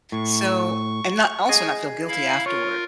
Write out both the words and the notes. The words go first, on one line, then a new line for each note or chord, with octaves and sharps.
so and not also not feel guilty afterward,
A2 C#6
G#4 D#5
E4 F5 B5
F4 A#4 C#5